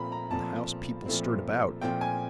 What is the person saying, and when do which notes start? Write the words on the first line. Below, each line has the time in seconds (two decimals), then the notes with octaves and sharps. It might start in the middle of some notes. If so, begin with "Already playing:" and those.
In the house people stirred about.
Already playing: A#2 F3 A3 C4 A#5 B5
0.12 A#5
0.31 A#2 F3 A3 C4 A5
1.06 A#2 F3 A3 C4
1.81 A#2 F3 A3 C4 G5
2.01 G#5